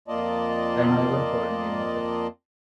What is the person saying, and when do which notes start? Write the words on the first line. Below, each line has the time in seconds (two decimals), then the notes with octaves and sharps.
And never called me mother!
0.08 F2 A#3 F4 D5 D#5 A5